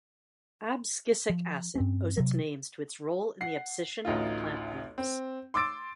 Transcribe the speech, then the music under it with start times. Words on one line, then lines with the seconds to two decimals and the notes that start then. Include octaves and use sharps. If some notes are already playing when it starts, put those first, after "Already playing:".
Abscisic acid owes its names to its role in the abscission of plant leaves.
1.30 F3
1.76 G2 C4 C#4
2.18 C3 F#3
3.41 F#5 C7
4.05 A1 D2 D#4 F4
4.98 C4
5.54 C6 D6 E6 A6 D7